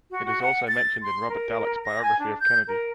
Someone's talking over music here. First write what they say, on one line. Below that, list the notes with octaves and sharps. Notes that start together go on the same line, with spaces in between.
It is also mentioned in Robert Dallek's biography of Kennedy, "".
F#4
F#4
F#5
A6
C6
A#4
A#6
G#5
D4
G6
A#4